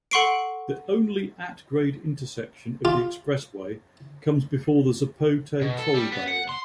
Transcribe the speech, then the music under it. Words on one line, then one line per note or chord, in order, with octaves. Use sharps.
The only at-grade intersection of the expressway comes before the Zapote toll barrier.
A4 F#5 C6 C#6 C7 D7
F4
B2
A4
G3
B3
F#5
C6